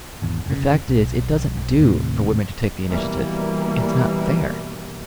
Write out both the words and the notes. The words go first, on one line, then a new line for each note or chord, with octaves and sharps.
The fact is, it doesn't do for women to take the initiative--it's not fair.
G#1 E2
F1 C#3
B1
B1
D#2 A2 C3
B2 E3 G3 A#3